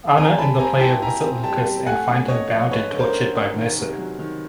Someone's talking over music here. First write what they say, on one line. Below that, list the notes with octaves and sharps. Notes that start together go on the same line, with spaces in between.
Ana and the player visit Lucas and find him bound and tortured by Mercer.
C4 G#5 A#5
G3 A5 B5
C4 G#5 A#5
E4 G5 A5
E4 G#5 A#5
C4
G3 G5 A5
G3
A3 F#5 G#5
C#4
A3 C#5 D#5
F3
D3 B4 C#5
D3
A#4 C5
C#4
C#4
D#3
C3
F#3
D#3